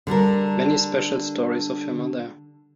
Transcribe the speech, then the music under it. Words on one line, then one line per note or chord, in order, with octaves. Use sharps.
Many special stories of him are there.
D3 G3 D4 A#4